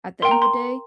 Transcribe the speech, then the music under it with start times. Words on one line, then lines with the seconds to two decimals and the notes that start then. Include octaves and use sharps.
at the end of the day,
0.22 A#4 G5 C6
0.31 A#5
0.42 C6